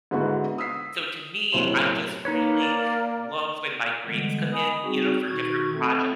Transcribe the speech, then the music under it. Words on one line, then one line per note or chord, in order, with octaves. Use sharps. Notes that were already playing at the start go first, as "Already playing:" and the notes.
so to me, I just really love when my grades come in, you know, for different projec
G#2 D3 B3 E4 F#4
D#6 E6 B6 C7
F#1 B1 A2 C3 C5 C6
A#3 D#4 B4 C#5
D5
D3 E3 G3 G#3 B3
D#5 G#5 B5 D#6
G3 C4 D#4 F#4 G#4
B2 D#3 D#4 F#4 C#6 G#6
A3 C4 F4 A4